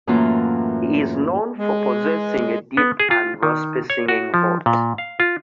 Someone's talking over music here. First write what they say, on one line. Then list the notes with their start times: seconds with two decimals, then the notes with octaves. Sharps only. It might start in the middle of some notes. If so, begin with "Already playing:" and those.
He is known for possessing a deep and raspy singing voice.
0.07 F#2 A2 E3 F#3 A#3 F4
1.58 G#3
2.77 B3
3.00 G#4
3.11 F4
3.43 D#3
3.90 C#5
4.08 F#4
4.34 F3
4.66 A#2
4.98 F5
5.20 F4